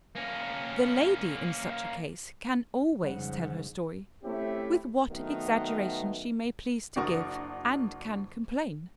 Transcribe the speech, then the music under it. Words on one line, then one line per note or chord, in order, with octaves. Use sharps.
The lady in such a case can always tell her story, with what exaggeration she may please to give, and can complain.
A#3 C#4
F2 G#2 C#3 G3 F#5
A3 C4 C#4 E4 G4
D#3 F#3 A3 B3
F#1 D4 F#4 A#4 C#6 D#6